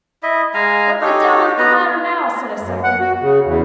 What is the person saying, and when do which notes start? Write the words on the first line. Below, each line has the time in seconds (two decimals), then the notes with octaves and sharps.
"What the devil's the matter now!" said a second.
0.23 E4 D#5 E5
0.54 G#3 F5 G#5 A#5
1.01 D#4 G4 A4 C#5
1.58 B3 B4 D#5 A#5
2.61 F#2
2.83 F#5
3.00 F#4
3.21 C#3
3.45 E2